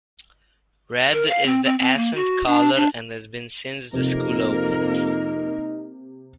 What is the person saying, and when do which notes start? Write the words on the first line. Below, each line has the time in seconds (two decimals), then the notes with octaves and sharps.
Red is the accent color and has been since the school opened.
1.13 A#4
1.29 F5
1.46 C4
1.65 C4
1.79 C4
1.97 A#3
2.15 F#4
2.47 D4
2.76 D4
3.94 F2 C3 A#3 D#4 A#4